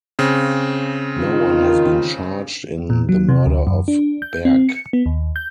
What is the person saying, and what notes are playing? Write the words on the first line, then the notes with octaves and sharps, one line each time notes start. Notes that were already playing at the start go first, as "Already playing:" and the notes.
No one has been charged in the murder of Berg.
C#3 C4
D#3 F4
A#2
F#3
C3
D2
F#2
D4
G6
C4
C#7
B3
D#2
G6